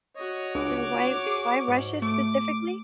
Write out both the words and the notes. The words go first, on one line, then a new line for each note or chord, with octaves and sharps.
So why why Russia specifically?
F#4 C#5 D#5
C#2 D4 D6
G#4
G#2
A3 D6